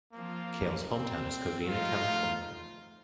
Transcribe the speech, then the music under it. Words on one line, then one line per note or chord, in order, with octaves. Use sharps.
Keil's hometown is Covina, California.
F3 A#3 C4 F4
C4
F3 A3 D#4 F4